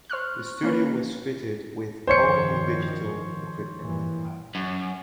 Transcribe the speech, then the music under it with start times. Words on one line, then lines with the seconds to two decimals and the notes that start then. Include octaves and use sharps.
The studio was fitted with all-new digital equipment.
0.10 C5 C#6 F6 F#6
0.63 A#3 C#4 B4
2.07 G2 D#3 F3 C5 C#5 C#7
3.80 G2 A#2 E3
4.55 F#2